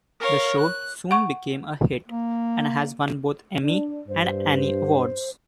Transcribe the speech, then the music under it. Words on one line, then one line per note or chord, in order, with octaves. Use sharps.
The show soon became a hit and has won both Emmy and Annie awards.
A#4 C#5 F5
F#6
F#5 C#6
A#3
D4
G2 C5